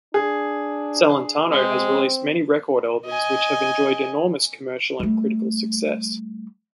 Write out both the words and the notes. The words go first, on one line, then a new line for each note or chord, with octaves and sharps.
Celentano has released many record albums which have enjoyed enormous commercial and critical success.
D4 G#4
G#3 C4
D#5 G#5
G3 A3